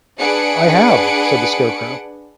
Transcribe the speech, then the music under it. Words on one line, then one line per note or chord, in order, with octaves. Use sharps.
"I have," said the Scarecrow.
D4 G#4 B4 F#5 C#7 D7